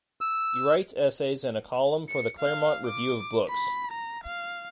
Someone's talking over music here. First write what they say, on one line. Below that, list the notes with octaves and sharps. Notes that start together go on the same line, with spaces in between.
He writes essays and a column for the "Claremont Review of Books".
E6
C#7
F5
D6
B5
A#5
F5